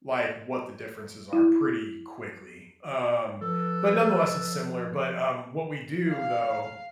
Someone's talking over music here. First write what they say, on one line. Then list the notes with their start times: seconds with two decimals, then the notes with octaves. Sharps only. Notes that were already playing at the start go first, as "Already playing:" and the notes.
like, what the differences are pretty quickly, um, but nonetheless, it's similar. But, um, what we do, though,
1.33 E4
3.42 F3 A4 B4
6.10 F5